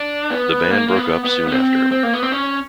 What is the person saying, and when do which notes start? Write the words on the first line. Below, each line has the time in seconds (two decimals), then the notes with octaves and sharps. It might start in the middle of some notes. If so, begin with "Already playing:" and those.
The band broke up soon after.
Already playing: D4
0.30 B3
0.70 A#3
0.88 A#3
0.97 B3
1.24 B3
1.47 B3
1.52 C4
1.91 C4
2.03 A#3
2.13 B3
2.23 C4
2.32 C#4